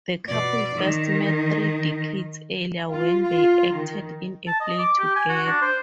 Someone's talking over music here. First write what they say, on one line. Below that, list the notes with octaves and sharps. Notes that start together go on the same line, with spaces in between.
The couple first met three decades earlier when they acted in a play together.
B2 D5
D#3
F4
F4
D#3
A5
D#5
D6
G4
G#5
F#4
D4
C5